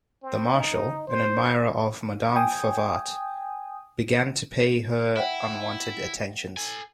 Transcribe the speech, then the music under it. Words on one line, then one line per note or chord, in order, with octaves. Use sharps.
The marshal, an admirer of Madame Favart, began to pay her unwanted attentions.
C4
D#4
C5
G5 G#5 D#6
E4 E5 F#5 G5
A4 G#5